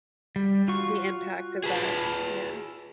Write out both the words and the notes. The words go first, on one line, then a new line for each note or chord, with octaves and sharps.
The impact of that, yeah.
G3
F4 F#4 C#6
G#4 B4 A5